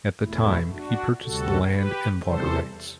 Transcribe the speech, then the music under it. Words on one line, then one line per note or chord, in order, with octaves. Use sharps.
At the time he purchased the land and water rights.
E2 B2 A3 E4
D4 F#4
D2 C3 G3 F#4 A4
G4 B4
E2 C3 E3 G3 A4 C5